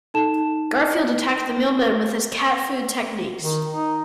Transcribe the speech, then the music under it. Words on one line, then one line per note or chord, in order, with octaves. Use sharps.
Garfield attacked the mailman with his "Cat Fu" techniques.
D#4 A4 A5 E7
D#3
D#4